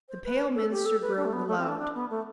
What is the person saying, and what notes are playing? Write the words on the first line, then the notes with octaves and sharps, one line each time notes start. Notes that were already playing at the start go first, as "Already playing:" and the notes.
The pale minister groaned aloud.
C5
B4
A4
G4
A4
B4
D4
A3
B3
A3
C4
D4
D4
B3
A3